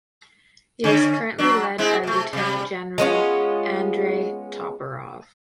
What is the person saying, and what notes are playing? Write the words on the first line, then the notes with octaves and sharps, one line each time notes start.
It is currently led by Lieutenant General Andrey Toporov.
D3 C#4
F#3 D4
G#3 C4 E4
C3 A3
C3 G3
G#3 B3 C#4 F4